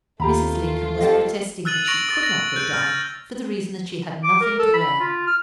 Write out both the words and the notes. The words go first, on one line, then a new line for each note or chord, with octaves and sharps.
Mrs. Lincoln was protesting that she could not go down, for the reason that she had nothing to wear.
D#2 A3 F4 G4 A#5 B5
F2 G4 A4 D#5 F5
E6 F#6 A6 D#7 F#7
C#6 A#6 D7 F7 F#7
A6
A#6 F#7
G6 D7
F6 A6
D6
A#4
A4
B5
F4
F6